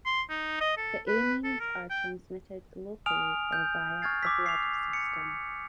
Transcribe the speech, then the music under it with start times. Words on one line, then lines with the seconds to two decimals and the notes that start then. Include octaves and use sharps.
The amines are transmitted locally or via the blood system.
0.06 C6
0.30 D#4
0.61 D#5
0.78 A4
1.08 B4
1.44 A4
1.60 A#4
1.90 G5
3.06 G#5 D#6 F6 D7 F7
3.52 G6
4.02 C#6 F6 G#6 A6 C7
4.23 D6 E6 B6
4.46 C7 F7
4.93 C#7